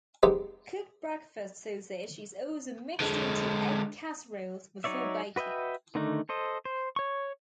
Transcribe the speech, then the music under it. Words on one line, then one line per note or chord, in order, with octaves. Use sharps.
Cooked breakfast sausage is also mixed into egg casseroles before baking.
G#3 B3 C4 D#4 G4
D3 G#3
F#3 D#4 C#5 D5 E5
F#4 B4 D#5 E5 G5
D3 D#3 A3 D4 D#4
A4 C5 D#5
C5
C#5 C#6